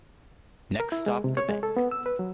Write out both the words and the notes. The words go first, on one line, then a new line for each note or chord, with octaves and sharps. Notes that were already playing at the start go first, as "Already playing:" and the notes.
Next stop the bank.
A#4
E4
G#3
C3
C#5
G#3
A4
B3
E6
B4
F#3